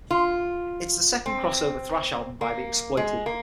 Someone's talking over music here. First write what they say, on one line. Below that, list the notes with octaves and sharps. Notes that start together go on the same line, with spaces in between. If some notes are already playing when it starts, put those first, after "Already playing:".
It's the second crossover thrash album by The Exploited.
F4
C4
A#3
G#3
A#3